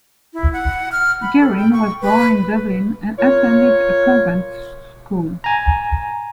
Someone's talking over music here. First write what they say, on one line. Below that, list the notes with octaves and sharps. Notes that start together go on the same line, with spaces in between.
Guerin was born in Dublin and attended a convent school.
E4
F#5
F6
B5
A4
G5
C#6
B4
F4 A#4 C#5
G#5 A#5